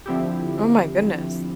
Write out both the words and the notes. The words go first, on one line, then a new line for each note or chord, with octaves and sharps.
Oh my goodness.
D3 F3 C4 E4 G4